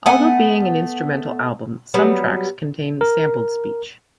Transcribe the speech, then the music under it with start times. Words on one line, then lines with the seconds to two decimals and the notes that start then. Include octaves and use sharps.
Although being an instrumental album, some tracks contain sampled speech.
0.06 A3 B3 F#5 G#5
1.94 F#3 G3 B3
3.01 A#4